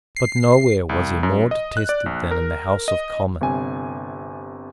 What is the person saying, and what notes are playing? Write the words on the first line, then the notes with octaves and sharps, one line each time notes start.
But nowhere was he more detested than in the House of Commons.
C7
C2
F#2
D#5
F#6
D5
A#1
A#4
D#5
G1 C3 G#5